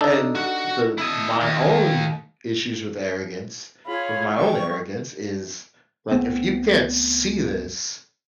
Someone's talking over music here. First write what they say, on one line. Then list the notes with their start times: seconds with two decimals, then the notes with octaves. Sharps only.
and, uh, the my own issues with arrogance with my own arrogance is, like, if you can't see this,
0.01 D4 D#4 A4
0.35 F#4
0.98 E4 D#5
1.41 D#2
3.86 F4 G#4 C#5 B5
4.35 G3 C#6
6.11 C#2 A3 B3 C4